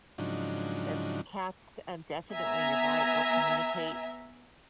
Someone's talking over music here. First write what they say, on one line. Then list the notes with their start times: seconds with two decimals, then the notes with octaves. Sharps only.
So, cats, um, definitely, you're right, will communicate.
0.18 G#2 C#3 F3 F#3 D4 D#4
2.31 B3 E5 G#5 A#5